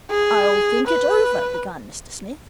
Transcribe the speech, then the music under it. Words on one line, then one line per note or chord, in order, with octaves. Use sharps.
'I'll think it over--' began Mr Smith.
G#4
B4